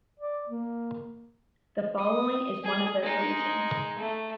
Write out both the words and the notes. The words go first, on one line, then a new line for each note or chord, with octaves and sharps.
The following is one of the solutions.
D5
A#3
D#6
G#4
G#3 D#4
A3